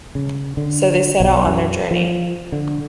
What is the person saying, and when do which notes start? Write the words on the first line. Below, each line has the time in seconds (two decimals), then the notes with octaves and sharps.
So they set out on their journey.
0.15 C#3
0.57 D3
1.20 B1
1.46 F#2
1.91 F3
2.52 D3